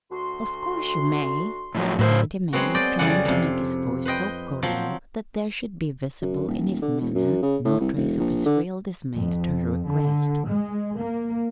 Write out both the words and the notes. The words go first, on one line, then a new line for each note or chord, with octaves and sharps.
"Of course you may," cried the man, trying to make his voice so cordial that there should be visible in his manner no trace of his real dismay at her request.
D2 F#4 C6
A2 F3 F#3
A2 F#3 A#3 D#4 E4 B4 C5
F#3 G#3 B3 C4 F#4
D5 D#5 G5
F2 C#3 G3 D5 F#5 G#5
F2 C3
B4 C5 D#5 G5
F3 F#3 C4
F#2
D#1
D3
E1
F#2
C#3
A2
C2
E1
A#1
D3
F2
D3
G#3
A#3